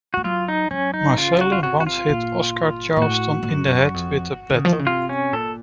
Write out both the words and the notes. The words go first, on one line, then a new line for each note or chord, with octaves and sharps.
Marcelle once hit Oscar Charleston in the head with a bat.
A3 F#4
F#3 F4
D#4
F#3 C#4
D#4
C#3 F4
F#4
F4
C3 F#4
F#4
F4
A#2
A#2
A2 F#4
A2
F#2
F2
D#3
C#3
F3
D#3
C#3
C3 F4
C#4
A#2 A4